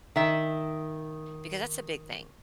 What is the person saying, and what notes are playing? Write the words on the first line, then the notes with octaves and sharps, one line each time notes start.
because that's a big thing.
D#3 E5